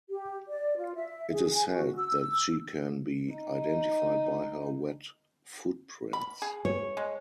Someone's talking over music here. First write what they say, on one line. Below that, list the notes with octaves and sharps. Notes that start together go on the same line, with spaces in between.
It is said that she can be identified by her wet footprints.
G4
D5
F4
E5
G#4
G#5
F#4
E6
D#4
B5
G#4
C#5
G#3